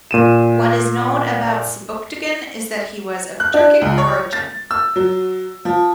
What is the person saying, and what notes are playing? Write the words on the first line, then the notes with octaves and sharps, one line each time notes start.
What is known about Sebuktigin is that he was of Turkic origin.
A#2 D#7 E7
F#6
D4
C#2
C#5
A6
E6
F#3
F3